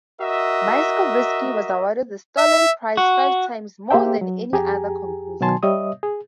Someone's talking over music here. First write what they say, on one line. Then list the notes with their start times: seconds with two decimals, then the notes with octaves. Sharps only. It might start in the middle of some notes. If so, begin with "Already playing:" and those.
Myaskovsky was awarded the Stalin Prize five times, more than any other composer.
0.20 F#4 A#4 D#5 E5
2.38 E5
2.97 F#4
3.91 A#3 G4 G#4 C5 E5 G5
4.21 F#3
4.53 F2 G4 G#4 G#5 A#5
5.41 B2 D#3 F#3 G#5 A5 C6
5.63 G3 C#5 D#5 E5 D#6
6.03 G#4